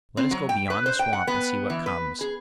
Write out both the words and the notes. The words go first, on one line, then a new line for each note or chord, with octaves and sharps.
Let us go beyond the swamp and see what comes.
C4
F#3
G5
B4
C5
G5
F#5
B3
E3
B4
G#4